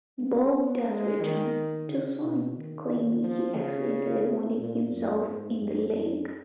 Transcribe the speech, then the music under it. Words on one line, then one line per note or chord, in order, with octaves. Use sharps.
Bob does return, too soon, claiming he accidentally wounded himself in the leg.
B3
G#3
D#3
C#3
B2
D#3
F3
C#3
A#2
F#2
G#2
F#2
F#2